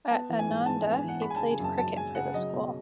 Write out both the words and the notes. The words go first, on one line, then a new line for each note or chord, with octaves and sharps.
At Ananda he played cricket for the school.
B3 A5
E3
G#5
G#2
G#2 A5
B3 G#5
G#5
E3 F#5
G#3 B5
G#5
C#3 A5
G#5
F#2 A5
F#2 A5
G#3 G#5
C#3 F#5
F#3 D#5
B2